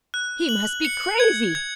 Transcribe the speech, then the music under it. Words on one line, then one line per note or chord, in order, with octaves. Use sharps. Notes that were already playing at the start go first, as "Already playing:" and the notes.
He must be crazy.
F#6
F#7
C#7
G#6
G#6